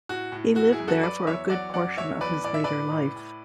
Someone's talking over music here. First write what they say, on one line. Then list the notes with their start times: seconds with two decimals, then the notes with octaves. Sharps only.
He lived there for a good portion of his later life.
0.09 A2 F#4
0.32 A2
0.56 E3 F#4
0.72 E4 G#4
0.80 F#2
0.88 F#4 A4
1.03 F#3 B4 D5
1.27 E2 C#5 E5
1.50 F#3 D5 F#5
1.74 F#2 D5 F#5
1.97 F#3 C#5 E5
2.20 E2 B4 D5
2.44 A2 D5
2.54 E5
2.64 A2 B4 D5
2.91 A2
3.16 A2